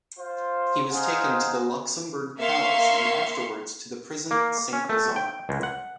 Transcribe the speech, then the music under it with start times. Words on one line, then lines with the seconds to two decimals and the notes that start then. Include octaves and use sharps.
He was taken to the Luxembourg Palace and afterwards to the Prison Saint-Lazare.
0.20 F4 C5
0.91 D#4 G#4 C5 F5 F#5
2.38 A#3 E5 F5 C6 C#6
4.31 A#3
4.73 C#4
4.89 A3
5.16 G5
5.49 C#2
5.63 F#5